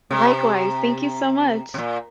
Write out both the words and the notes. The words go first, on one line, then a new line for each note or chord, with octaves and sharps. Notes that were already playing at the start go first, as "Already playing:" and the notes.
Likewise. Thank you so much.
C3
C3
A#2